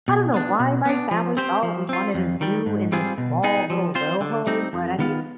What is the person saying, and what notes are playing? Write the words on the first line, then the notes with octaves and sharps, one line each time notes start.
I don't know why my family thought we wanted a zoo in this small little row home, but I mean,
B2
B3 D4
B2
B3 D4
F3
C4 G4 C5
F3
C4 F4
F2
D#3 G3
G#2
G3 C4 F4 G#4
B2
B3 D#4 G#4
F3
C4 F4 C5
D3
G3 C4 D#4
F2
D#3 B3 F4